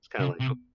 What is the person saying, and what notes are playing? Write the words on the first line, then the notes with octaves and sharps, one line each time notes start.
it's kind of like oh
C#3
C3